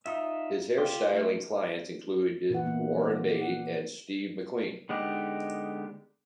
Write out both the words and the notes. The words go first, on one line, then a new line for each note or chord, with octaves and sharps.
His hair styling clients included Warren Beatty and Steve McQueen.
D#4 F4 E5
F4 G4
A3
A#2 E3 E4 B4 F#5
A#3 B3 E4
D5
F#5
D3 G#3 B3 D#4 G4